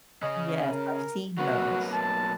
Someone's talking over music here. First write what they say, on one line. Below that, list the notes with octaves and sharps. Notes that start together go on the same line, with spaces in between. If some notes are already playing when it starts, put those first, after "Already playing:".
Yes, I've seen those.
C#3 C#4 D#5
A#4
F#3 A#3 B3 F#4
A5